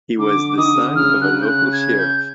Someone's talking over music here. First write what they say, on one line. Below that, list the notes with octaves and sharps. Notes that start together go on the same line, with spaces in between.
He was the son of a local sheriff.
D3 D6
D6
D#3 D#6
D3
C#3
D3
C#3 F6
D3 F#6
C#3
G6
F#6
G#6
G6